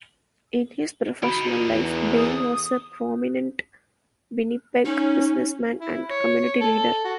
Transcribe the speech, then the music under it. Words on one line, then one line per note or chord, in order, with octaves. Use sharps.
In his professional life Bain was a prominent Winnipeg businessman and community leader.
D3 D#4 F#4 B5 D7
E2
D#6
C#4 D#4
E4
C#5
A4
F#4